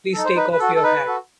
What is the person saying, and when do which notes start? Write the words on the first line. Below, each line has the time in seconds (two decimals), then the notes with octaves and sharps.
Please take off your hat?
0.13 D#4 A4
0.25 C5
0.36 D#4 B4
0.52 B4
0.59 F#4 A4
0.75 A4
0.83 D#4 B4
1.07 F#4 A4